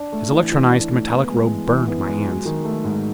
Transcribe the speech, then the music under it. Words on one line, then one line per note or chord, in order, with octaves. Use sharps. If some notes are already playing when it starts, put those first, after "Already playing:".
His electronized metallic robe burned my hands.
Already playing: D4
A3
E3
E3
D4
A3
B3
G#3
E3
E3
B3
G#3
F#3
D#3
A3
G#2